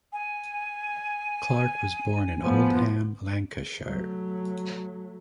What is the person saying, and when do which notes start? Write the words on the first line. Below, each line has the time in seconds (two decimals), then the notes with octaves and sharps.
Clarke was born in Oldham, Lancashire.
0.13 G#5
2.41 E2 A2 F3 B3
3.83 F#3 A3